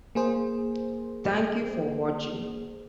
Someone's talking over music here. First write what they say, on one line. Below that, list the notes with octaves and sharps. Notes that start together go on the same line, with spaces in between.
Thank you for watching.
A#3 G#4 C5